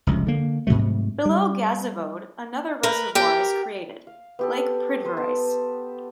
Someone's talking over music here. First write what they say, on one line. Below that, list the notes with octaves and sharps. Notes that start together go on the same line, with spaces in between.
Below Gazivode another reservoir is created, Lake Pridvorice.
F1 C#2
D3 A#3
G#2 C3 F#3 A3
G3
A#4 B4
G4 A#4 G5
F5
B3 G4 A4
B4 C5 D#6
B3 A5